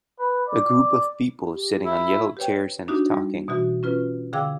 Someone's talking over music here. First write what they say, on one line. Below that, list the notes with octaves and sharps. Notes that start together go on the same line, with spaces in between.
A group of people sitting on yellow chairs and talking.
B4
D5
G4
E4
F4
G4 B4 C#5 G5
D4 D#4 F#4 G4
G3
B2 E3 F#4
C#4 F4 B4
D3 G#4 F5 G5 D6 E6